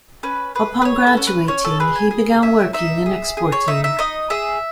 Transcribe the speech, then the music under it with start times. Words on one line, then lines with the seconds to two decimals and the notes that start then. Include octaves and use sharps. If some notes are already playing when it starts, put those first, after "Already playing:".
Upon graduating, he began working in exporting.
0.23 C#4 B4
0.55 G#4 B4
0.82 B4
0.85 G#4 C#5
1.07 A4
1.17 C#4
1.27 B4
1.48 C#4 C#5
1.65 A4
1.80 G#4 B4
1.96 G#5
2.11 G#4
2.42 C#4 E5
2.73 D#4 E5
3.06 G#4
3.37 G#4
3.52 C#5
3.68 D#4 E5
3.84 E5
3.99 D#4 D#5
4.30 G#4 E5